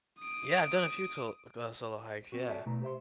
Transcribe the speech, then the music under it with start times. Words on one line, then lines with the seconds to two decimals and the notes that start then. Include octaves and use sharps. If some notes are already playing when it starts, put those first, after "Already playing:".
Yeah, I've done a few tol uh, solo hikes, yeah.
0.20 D#6 D7
2.32 C4 F#4
2.48 A4 C#5 D5 E5 G#5 A5
2.66 B2 A3 E4 A#5
2.82 G4 C5 E5 C6